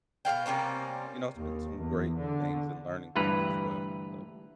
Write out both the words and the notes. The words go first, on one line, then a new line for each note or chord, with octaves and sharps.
you know, it's been some great things and learning things as well, so
B2 A3 F5 G5
C3 G3 A#3 C#4
D#2
E2
D3
D2 G2 E3 B4 A#5